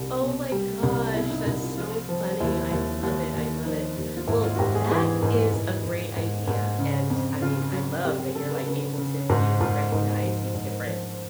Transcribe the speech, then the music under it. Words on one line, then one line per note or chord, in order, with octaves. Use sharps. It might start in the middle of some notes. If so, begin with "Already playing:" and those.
oh my gosh, that's so funny, I love it, I love it. Well, that is a great idea, and I mean, I love that you're like able to even recognize these different
Already playing: C2
B2
G3
C2
B2 E4
D#4
C2 E4
F4
F3 F4
F3
D#2 E4
D#2
D#2
D#2
F3 D#4
D#2
F4
G#2 E4
F4
F#4
G#2 G4
G#4
E3 G#4
G#2
G#2
G#2
G#2
G#2
C#3
F2
C#3 F4
F#3
F2 G4
G4
G#4
C#3 A4
B4
C#3 B4
C#3
G#2 F#4
G#2 F4
G#2 D#4
F3
G#2
F3